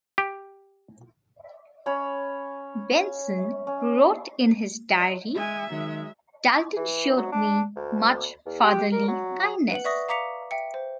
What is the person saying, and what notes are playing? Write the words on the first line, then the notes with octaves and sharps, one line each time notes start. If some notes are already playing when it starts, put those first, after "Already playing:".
Benson wrote in his diary "Dalton showed me much fatherly kindness".
G4
C#4 C#5 B5
C#4
G#3 E5 G#5
D#3 F#3 G#3
E3
F#3
D4
D2
E2
G4
A#4
F#3
B4 F#5 F#7
B4 D5 E5 C#6 D#6 A#6
F5 A#5 D6 B6 C#7 F7
E5 G5 C#7
C5